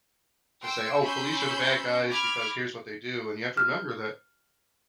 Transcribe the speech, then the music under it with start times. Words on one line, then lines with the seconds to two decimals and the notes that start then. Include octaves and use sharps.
to say, "Oh, police are the bad guys because here's what they do", and you have to remember that,
0.63 G5 C6 E6
1.01 C#4 B5 C6 E6 G6
2.10 B5 D6 F6 G#6
3.57 F6